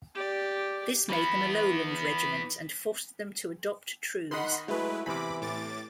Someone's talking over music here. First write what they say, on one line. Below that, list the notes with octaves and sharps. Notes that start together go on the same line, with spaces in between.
This made them a Lowland Regiment and forced them to adopt trews.
G4 D5
E3 B3
D#3 D#4 D#5 F#5 B5 C6
F#3 G#3 A3 E4 B4
E2 C3 E3 B5 D6
A2 D6 A6